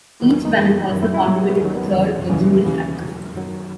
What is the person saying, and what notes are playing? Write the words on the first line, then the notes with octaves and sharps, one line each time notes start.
Each band also contributed a third, original track.
D#2 D#3 F#3 B3
C#4
D#4
F#2 E3
F#2 D#3 F#3 E4
E4
E4
G#2 F#3
B3
D#2 D#3 F#3 C#4
B3
E2 C#3 E3
D#2 C#3 E3 C#4
D#2 C#3 E3 B3
E2 B2 F#3
F#2 D#3 F#3